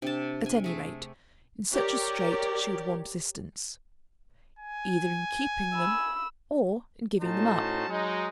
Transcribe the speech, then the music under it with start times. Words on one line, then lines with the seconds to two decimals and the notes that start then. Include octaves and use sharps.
At any rate, in such a strait she would want assistance, either in keeping them or in giving them up.
0.02 C3 D4 A5
0.46 G#5
0.64 A3 G#4 D6
1.73 G4 A#4 C#5 D5
4.59 G#5
5.74 B5 E6
7.21 A2 C#4 D#4 F#4 C5 A5
7.89 F#3 G#3 D#4